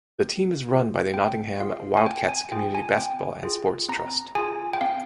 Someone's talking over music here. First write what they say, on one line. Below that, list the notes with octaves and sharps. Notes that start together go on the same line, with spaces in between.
The team is run by the Nottingham Wildcats Community Basketball and Sports Trust.
C4
F4 G#4
C4 G5
F4 G#4 F5
G#5
C4 G5
G#5
F4 G#4 G5
G#5
C4 G5
F4 G#4
C4 A#5
F4 G#4 G#5
G5
C4 F5